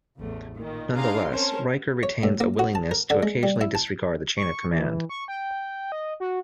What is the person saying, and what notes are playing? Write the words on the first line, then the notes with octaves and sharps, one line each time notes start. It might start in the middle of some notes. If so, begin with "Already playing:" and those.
Nonetheless, Riker retains a willingness to occasionally disregard the chain of command.
A1 E2 A3
A#2 D#3
D4 D#4 G#4 F5 A#5 C6
C4 C#4 A#4 C5 C#5 A5
C#5
A2
A#3
F#4
A5
A#4
D3
G#3
G3
E4
A5
C#6
E3
C#6
G5
D#5
F#4